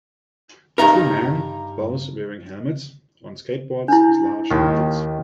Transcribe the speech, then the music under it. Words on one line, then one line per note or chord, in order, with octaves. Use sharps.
Two men, both wearing helmets, on skateboards with large wheels.
G2 A#2 D#4 A#4
D4 E4
D#2 D#3